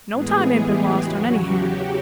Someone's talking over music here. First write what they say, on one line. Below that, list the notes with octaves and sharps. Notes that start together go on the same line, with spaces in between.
No time ain't been lost, on any hand.
A2 E3 G#3 B3 G#4
G4
E2 C#3 F#3 F#4
G4